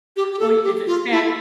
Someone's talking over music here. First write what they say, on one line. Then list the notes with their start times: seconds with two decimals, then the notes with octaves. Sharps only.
well it's it's bad
0.16 G4
0.32 G4
0.39 A4
0.63 G4
0.87 F4
1.11 E4